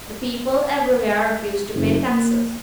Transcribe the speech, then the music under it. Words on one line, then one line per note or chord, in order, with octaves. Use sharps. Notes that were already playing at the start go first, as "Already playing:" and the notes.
The people everywhere refused to pay taxes.
F#1
A#3